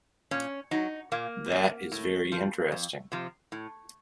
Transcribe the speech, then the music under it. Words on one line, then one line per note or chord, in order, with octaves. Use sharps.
That is very interesting.
A#2 C#4
F#3 D#4
A#2 A#3
F#3
A2
F3
F2
C3 F3
A2